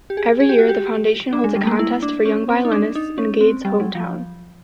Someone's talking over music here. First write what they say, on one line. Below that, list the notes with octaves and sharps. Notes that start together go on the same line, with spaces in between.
Every year the foundation holds a contest for young violinists in Gade's hometown.
G4
G#4
G#4
G4
F#4
G4
D4
G#3
G3
A3
A#3
E4
D4
C#4
C4
D#4
D4
D#4
C#4
C4
G3
F#3
F3